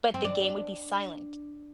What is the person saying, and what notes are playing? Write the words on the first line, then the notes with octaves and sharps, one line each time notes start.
but the game would be silent,
C4
D4